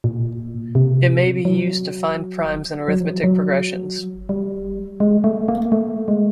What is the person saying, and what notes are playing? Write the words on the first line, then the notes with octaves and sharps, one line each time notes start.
It may be used to find primes in arithmetic progressions.
A#2
C3
F#3
F#3
F3
F#3
F#3
G3
G#3
A3
A#3
A3
G#3